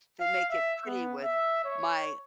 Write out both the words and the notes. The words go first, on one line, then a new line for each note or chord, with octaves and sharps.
then make it pretty with my
F5
E5
B3
E5
C#5